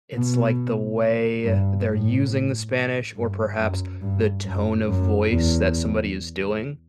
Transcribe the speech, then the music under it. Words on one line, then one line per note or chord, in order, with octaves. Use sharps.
it's, like, the way they're using the Spanish or perhaps the tone of voice that somebody is doing.
B2
G2
A2
G2
F#2
G2
F#2
F#2
E2